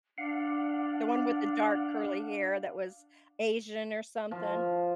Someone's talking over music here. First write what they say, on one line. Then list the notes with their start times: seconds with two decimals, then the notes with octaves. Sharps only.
The one with the dark curly hair that was Asian or something.
0.18 D4 F5 F#5
4.31 F3